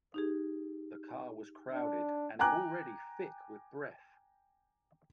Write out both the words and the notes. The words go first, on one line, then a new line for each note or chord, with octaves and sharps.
The car was crowded and already thick with breath.
D#4 G4 G#4
D4
G5 G#5 A#5 D6 F#6